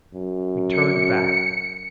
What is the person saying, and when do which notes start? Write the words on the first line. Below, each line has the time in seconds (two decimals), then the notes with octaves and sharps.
We turned back.
0.14 F#2
0.69 C#7